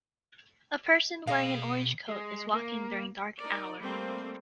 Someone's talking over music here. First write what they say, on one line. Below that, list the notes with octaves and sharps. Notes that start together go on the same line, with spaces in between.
A person wearing an orange coat is walking during dark hour.
B2 G#4 D#5 F5 B5
G#3
A#3
D#4 A#4 D5
G3 A3 A#3 C4